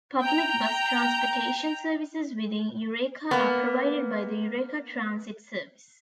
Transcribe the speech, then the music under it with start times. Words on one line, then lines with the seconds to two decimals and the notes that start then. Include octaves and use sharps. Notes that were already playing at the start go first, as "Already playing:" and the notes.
Public bus transportation services within Eureka are provided by the Eureka Transit Service.
0.22 G5 A#5
3.31 A#3 B3